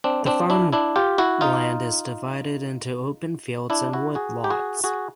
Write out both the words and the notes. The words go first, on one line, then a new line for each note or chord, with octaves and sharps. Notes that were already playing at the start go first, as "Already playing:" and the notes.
The farmland is divided into open fields and wood lots.
C4 D4
C4 D4
D4 E4
D4 E4
F4 G4
E4 F#4
D#4 F4
D4 E4
E4 F#4
F#4 G#4
G4
F#4 G#4
F#4 G#4